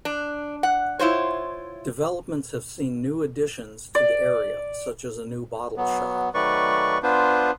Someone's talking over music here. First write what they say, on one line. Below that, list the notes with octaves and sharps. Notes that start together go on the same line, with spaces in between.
Developments have seen new additions to the area, such as a new bottle shop.
D4
F#5
E4 F4 C5 C#5
D5
F#3 B3
D#3 F#3 A3 B4 D5 C#6
B3 D4 F4 B4 C5